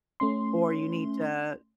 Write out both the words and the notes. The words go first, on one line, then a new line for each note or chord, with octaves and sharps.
or you need to,
A3 C#4 C6